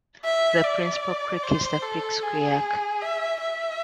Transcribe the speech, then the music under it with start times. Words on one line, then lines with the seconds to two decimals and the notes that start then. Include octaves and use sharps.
The principal creek is the Pixquiac.
0.25 E5
0.64 D5
1.44 C5
1.83 A4
2.23 G#4
3.02 E5
3.42 E5